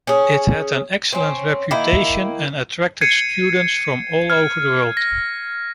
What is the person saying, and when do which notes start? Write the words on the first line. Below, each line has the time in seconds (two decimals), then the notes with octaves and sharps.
It had an excellent reputation and attracted students from all over the world.
0.07 C#4 G#4
1.13 C4 C#4
1.71 D#3 A#3 E4
3.01 G#6 C7 C#7 D#7
4.30 F6 G#6
4.97 A#6